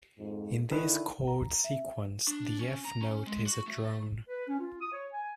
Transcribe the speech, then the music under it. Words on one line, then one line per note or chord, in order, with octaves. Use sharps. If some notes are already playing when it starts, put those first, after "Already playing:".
In this chord sequence, the F note is a drone.
F2 G#2
D3 D#3 E4 B4
A#5
E5
D4
C#4
A#5
C#4
G#3
F#4
A3
B4
C#4
F4
D#6
C#5
G#5